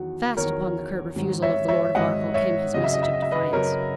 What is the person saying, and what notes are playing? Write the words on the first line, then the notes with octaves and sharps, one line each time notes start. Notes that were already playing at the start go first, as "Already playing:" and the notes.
Fast upon the curt refusal of the Lord of Arkell came his message of defiance.
Already playing: E2 D#3 F#3 F#4
E2 D#3 F#3 A#4 C#5
G#2 D#3 F#3
C#5 E5
C#5 E5
G#2 D#3 F#3 D#5 F#5
C#5 E5
F#2 C#3 F#3 D#5
E5
D#5
E5
D#5
E5
B4 D#5
F#2 C#3 F#3 A#4 C#5